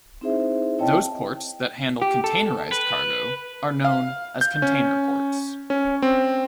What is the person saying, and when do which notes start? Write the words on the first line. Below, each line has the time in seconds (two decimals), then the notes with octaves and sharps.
Those ports that handle containerized cargo are known as container ports.
0.21 C4 D#4 E4 G#4 C5 E5
0.79 C4 E4 C#5 D#5 G5 A5
2.02 G4
2.24 A4
2.72 B4
3.85 F5
4.41 G6
4.62 C#4
5.70 C#4
6.02 C4